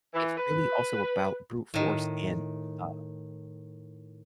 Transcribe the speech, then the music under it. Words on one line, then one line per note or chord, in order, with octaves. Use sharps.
it's really also about brute force and, uh,
E3
B4
A2 D#3